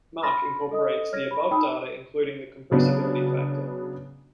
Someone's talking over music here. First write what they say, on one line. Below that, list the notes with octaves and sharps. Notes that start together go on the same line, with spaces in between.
Mach incorporates the above data including the compressibility factor.
B5 C6 F6 A6 A#6
A4 D#5 D#6
C#5 F6 G#6 A#6
B5
D#4 G5 B5 D#6 E6
C#3 F#3 B3 D4